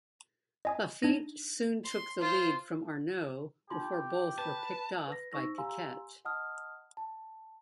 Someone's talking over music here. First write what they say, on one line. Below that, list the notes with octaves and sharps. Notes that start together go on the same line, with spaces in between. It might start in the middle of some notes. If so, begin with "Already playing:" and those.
Laffite soon took the lead from Arnoux before both were picked-off by Piquet.
D#5 G#5 D#6
D4 D#4 A#6
C6
F4 C5
D#4 F4 G4 C6
B4 A5
B4 A#6
D#4 C5 C#6 E6 A#6
G4 F5 G#5 A#5 C6 E6
D#5 F#5 A5 D#6 F6
A5